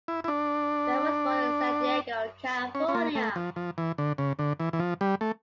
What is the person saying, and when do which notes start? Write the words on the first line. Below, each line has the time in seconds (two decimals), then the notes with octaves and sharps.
Bear was born in San Diego, California.
0.08 E4
0.24 E4
0.28 D4
2.75 C#4
2.88 C#4
2.95 A#3
3.15 A3
3.36 F3
3.56 F3
3.78 E3
3.98 D3
4.18 C#3
4.39 D3
4.60 E3
4.73 E3
4.80 F3
5.01 G3
5.21 A3